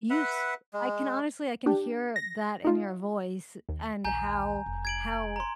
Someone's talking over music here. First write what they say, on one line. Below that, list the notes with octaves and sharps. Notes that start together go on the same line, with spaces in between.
You s I can honestly I can hear that in your voice and how how
B4 E5 F#5
G#3
D4 G4
A#6
D#4 F4
D#2
A#1 D#2 G#5 A#5 G6
F1
G#6 D7 F#7
A#5 C6